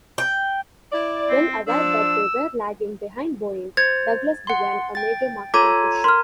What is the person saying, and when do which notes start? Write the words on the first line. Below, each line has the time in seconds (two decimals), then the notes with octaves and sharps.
Well aware that they were lagging behind Boeing, Douglas began a major marketing push.
0.18 G5
0.92 E4 D5
1.29 C4
1.68 F3 D4 E6
3.77 C5 G#6 A6
4.47 F#5 C6
4.95 G5 A6
5.54 F4 A4 C#5 A#5 D6 G#6 D#7
6.04 A#4 C6 F6